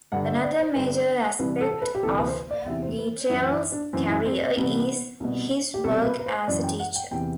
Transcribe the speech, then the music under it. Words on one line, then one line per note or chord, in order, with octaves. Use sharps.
Another major aspect of Guettel's career is his work as a teacher.
G2 D3 F#5
E5
D5
C5
G2 D3 B4
C2 C3 E3 B4
A4
A4
B4
G4
D2 C3 E3 A4
B4
C5
B4
D5
E2 C3 E3 E5
C5
B4
F#2 E3 E4
E4
D4
F#2 E3 C4
E4
C4
C4
C2 C3 E3 B3
C2 B2
G4
C2 B2 A4
B4
B4
C5
F#2 E3 D5
G5
F#5
G5
E2 C3 E3 G5